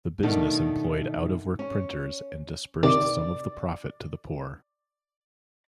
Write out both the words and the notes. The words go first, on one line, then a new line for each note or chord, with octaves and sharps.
The business employed out-of-work printers and disbursed some of the profit to the poor.
B2 D#3 A3 D4 D#4
C#4
C3 D#3 D5